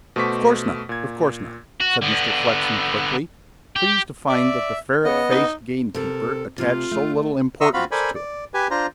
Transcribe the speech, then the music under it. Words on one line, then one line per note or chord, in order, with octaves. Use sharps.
"Of course not, of course not," said Mr. Flexen quickly, pleased to find that the ferret-faced gamekeeper attached so little importance to it.
B2 A3 C5 C#6 D6 B6
A#2 G#6
F#4
D3 B3
G4
D5 E5
C#3 B3 D#5
D#4
C3 A4 A#4
C3 A3 F4
A3
E5 A#5 C6 C#6 D#6 E6
C4 F4 F#4 F5 B5
A4 A#4 C5 D5 G#5 B5
D5
G4 B4 G#5
D4 F4 C5 A#5